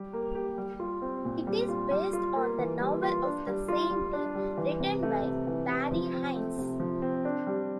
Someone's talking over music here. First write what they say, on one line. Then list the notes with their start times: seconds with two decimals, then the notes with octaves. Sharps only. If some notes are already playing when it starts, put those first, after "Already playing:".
It is based on the novel of the same name, written by Barry Hines.
Already playing: G3 G4
0.13 A#3
0.35 G4
0.58 G3
0.80 F4
1.02 C4
1.25 A#2
1.47 G3
1.68 F4
1.91 G3
2.13 F4
2.36 A#3
2.58 E3
2.80 G3
3.03 F4
3.24 D4
3.47 G3
3.68 F4
3.90 G3
4.13 D4
4.35 G3
4.57 E3
4.80 C3
5.03 A3
5.25 C3
5.47 E3
5.68 C3
5.91 F3
6.14 C4
6.36 A3
6.58 C3
6.80 F3
7.02 C4
7.25 D4
7.47 G3